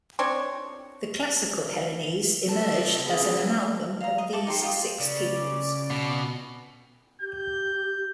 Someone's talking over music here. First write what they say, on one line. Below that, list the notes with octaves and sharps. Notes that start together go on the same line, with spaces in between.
The classical Hellenes emerged as an amalgam of these six peoples.
C4 D4 C#5
C3 A4 A5
B3 C#4 G#4
F5 A#5
D#5
A4 E5 D6
D#4 G4 C6
F4 G4 D#5
C#3 D5
B2
G4 G6